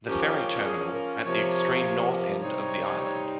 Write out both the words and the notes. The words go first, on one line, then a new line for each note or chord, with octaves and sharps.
The ferry terminal at the extreme north end of the island.
F3 A#3 C#4 G4
G#4
A#4
C3 F3 A#3 C#5
C3 G3 C4 D#4 C#5